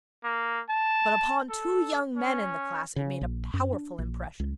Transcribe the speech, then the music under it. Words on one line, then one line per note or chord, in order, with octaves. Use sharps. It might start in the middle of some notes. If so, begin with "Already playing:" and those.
But upon two young men in the class, it made a powerful impression.
A#3
A5
A4
C#4
C#3
A#1
F#2
D4
A#1
C#2